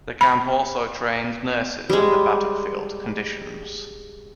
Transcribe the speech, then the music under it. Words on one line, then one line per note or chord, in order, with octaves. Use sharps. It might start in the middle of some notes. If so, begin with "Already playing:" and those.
The camp also trained nurses under battlefield conditions.
B5
G3 G#3